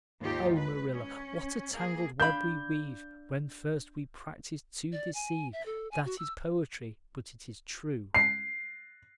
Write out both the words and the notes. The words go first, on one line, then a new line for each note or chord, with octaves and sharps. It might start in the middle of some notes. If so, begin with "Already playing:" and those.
Oh, Marilla, 'what a tangled web we weave when first we practice to deceive.' That is poetry, but it is true.
D#2 G#2 D#4 F4 G4
B4
C#4
A#3 G#4
D4 F5 B5 G6
D5
G#5
E5
A4
G#5
F#4
E6
C7